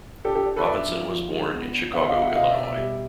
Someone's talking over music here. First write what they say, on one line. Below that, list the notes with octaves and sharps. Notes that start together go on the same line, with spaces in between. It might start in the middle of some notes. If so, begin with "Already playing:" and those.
Robinson was born in Chicago, Illinois.
D4 G4 A4
G4 A4
D4
A4 B4
D4 D5 E5
F3
F3
G#3
B3
D4
B3 E5 F#5
D#5 F5
B3
E5 F#5
B2 D#5 F5
D5 E5
B2
D5 E5
G3